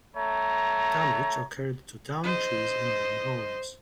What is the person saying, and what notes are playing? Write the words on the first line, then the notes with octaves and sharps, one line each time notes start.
Damage occurred to downed trees and wooden homes.
A3 C#5 A#5
C5 D#5